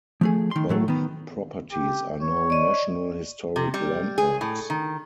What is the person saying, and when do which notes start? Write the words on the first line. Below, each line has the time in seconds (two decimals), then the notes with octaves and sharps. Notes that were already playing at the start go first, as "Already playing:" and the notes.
Both properties are now National Historic Landmarks.
0.21 F3 A3 G#4
0.51 D#3 C6
0.69 A2 F#3 A3
0.88 D#3 B3
1.72 G4
2.21 C#5
2.50 D5 D#5
3.56 C3
3.74 G3
4.18 G#4
4.41 A2
4.70 D#3